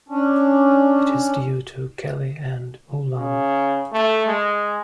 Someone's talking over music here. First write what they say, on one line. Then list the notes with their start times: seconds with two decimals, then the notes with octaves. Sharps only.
It is due to Kelly and Ulam.
0.09 C#4 D4
3.14 C#3
3.93 A3
4.27 G#3